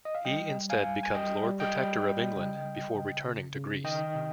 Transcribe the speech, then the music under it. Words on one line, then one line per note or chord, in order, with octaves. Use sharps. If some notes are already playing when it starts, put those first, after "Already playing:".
He instead becomes Lord Protector of England before returning to Greece.
D#5
F5
G3 D#5 G5
G3
F5 G#5
G3
G#5
G3 D#5 G5
G3
D#5 G5
G3
G3
C#3
G3
C#3
C#3
C#3
D#3 D#5 G5
C3